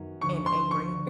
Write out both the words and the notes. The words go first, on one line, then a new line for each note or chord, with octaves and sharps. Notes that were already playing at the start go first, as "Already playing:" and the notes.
And angry.
Already playing: F#2 D#3 F#3 B3
D2 D3 F3 G#3 C#6
C6
C#6
D3